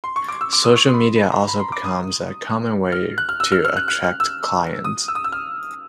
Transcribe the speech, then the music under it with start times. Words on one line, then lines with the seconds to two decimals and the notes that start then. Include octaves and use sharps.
Social media have also become a common way to attract clients.
0.04 C6
0.16 C#6
0.29 D6
0.41 E6
0.53 D6
0.64 D#6
0.76 C#6
0.89 C6
0.94 B5
1.00 C6
1.16 B5
1.32 A#5
1.48 B5
1.60 C6
1.72 D6
1.84 D#6
2.92 F6
3.18 F#6
3.29 F6
3.40 E6
3.52 F6
3.65 F6
3.77 F#6
3.88 F#6
4.04 F6
4.20 E6
4.84 D#6
5.08 E6
5.15 D#6
5.24 E6
5.32 F6